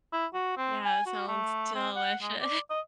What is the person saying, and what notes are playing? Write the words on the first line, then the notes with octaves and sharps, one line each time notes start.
Yeah, that sounds deliciou
E4
F#4
C4
G#5
F#4
A3
C4
F#5
G#3
D5
D#5